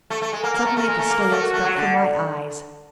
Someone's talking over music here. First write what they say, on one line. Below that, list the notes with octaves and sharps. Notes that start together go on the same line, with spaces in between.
Suddenly the scales fell from my eyes.
A3
A3
G#3
A#3 A#4
A#3
A3
A3 A#4
G#3
A3
A#3
A#3
A3
F#4
A3
F#3
D3